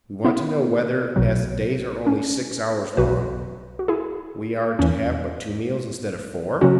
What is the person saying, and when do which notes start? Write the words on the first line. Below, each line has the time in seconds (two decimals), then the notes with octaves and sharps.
"We want to know whether, as the days are only six hours long, we are to have but two meals instead of four?"
0.25 B3 E4
1.16 B1 B2 F#3
2.07 C#4
2.97 B1 B2 F#3 F#4 B4
3.79 F#4
3.88 E4 G#4
4.79 E2 E3 C#4
6.61 C#3 F#3 C#4 F#4